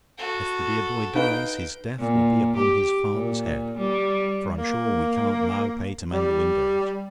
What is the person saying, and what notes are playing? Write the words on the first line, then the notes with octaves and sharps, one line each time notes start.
If the dear boy dies, his death will be upon his father's head; for I'm sure we can't now pay to mend windows.
F#4 A4
D#4 B4 F5 G5
A#2
G4
A#2
G3
A#3
G3